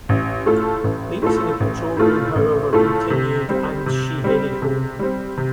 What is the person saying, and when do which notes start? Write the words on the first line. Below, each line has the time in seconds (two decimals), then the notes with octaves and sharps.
Leaks in the control room, however, continued, and she headed home.
0.09 A1
0.46 A2 A3 F4 A4
0.84 A1
1.22 A2 A3 F4 A4
1.60 A1
1.97 A2 A3 F4 A4
2.35 A1
2.73 A2 A3 F4 A4
3.10 C3
3.49 G3 C4
3.86 C3
4.24 G3 C4
4.62 C3
4.99 G3 C4
5.37 C3